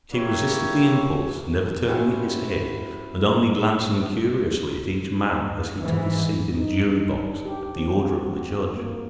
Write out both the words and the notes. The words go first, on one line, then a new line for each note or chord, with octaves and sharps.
But he resisted the impulse, never turning his head, and only glancing curiously at each man as he took his seat in the jury box at the order of the judge.
A#3 E4 G4 C#5
C#4 E4 F#4 G4 C5
G#2 E3
D#4
D4
G4
C4
F#4
A#3